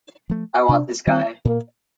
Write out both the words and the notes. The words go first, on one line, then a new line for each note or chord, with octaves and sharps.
I want this guy.
F3 A3
C3 D4
D#3 G3 C4
A#2 A#3